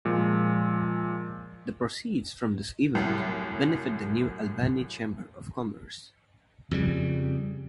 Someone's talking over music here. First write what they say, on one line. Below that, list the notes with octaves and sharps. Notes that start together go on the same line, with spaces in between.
The proceeds from this event benefit the New Albany Chamber of Commerce.
A#2 F3 G#3
C2 F#2 A2
F2 C#3 G3